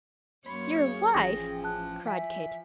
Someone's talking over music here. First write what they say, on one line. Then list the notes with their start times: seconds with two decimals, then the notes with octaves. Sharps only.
"Your wife!" cried Kate.
0.46 F#2 A#3 C#5 B5 C6
0.76 G#4 F5
1.15 A1 E3 F3 C#4 G5 A#6
1.64 A5 F#6
2.07 E5 G#5 B6